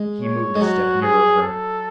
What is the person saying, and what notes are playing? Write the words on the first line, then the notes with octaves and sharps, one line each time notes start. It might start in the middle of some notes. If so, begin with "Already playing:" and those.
He moved a step nearer her.
Already playing: G#3
C#5
G#3
F#3 F#4
G#4
A4